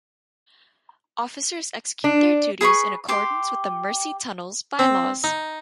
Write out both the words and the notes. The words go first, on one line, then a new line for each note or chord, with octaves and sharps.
Officers execute their duties in accordance with The Mersey Tunnels Bylaws.
D4
G#4 B4 B5 C#6
G4 C6 D6
C4
D#4